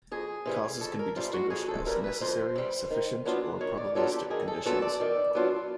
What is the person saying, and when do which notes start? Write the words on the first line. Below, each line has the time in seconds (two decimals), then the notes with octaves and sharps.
Causes can be distinguished as necessary, sufficient or probabilistic conditions.
0.11 F2 G#4
0.46 C3 E3 G3
0.81 F2 A4
0.99 A#4
1.16 C3 E3 G3 F4
1.33 F#4
1.50 F2 G#4
1.68 A4
1.85 C3 E3 G3 A#4
2.04 B4
2.21 F2 C5
2.56 C3 E3 G3
2.90 D#3
3.25 F#3 B3 D4 F4
3.61 D#3 C#5
3.77 D5
3.95 F#3 B3 D4 F4 A4
4.12 G4
4.30 D#3 G#4
4.48 A4
4.65 F#3 B3 D4 F4 A4
4.82 D5
5.00 D#3 D5
5.35 F#3 B3 D4 F4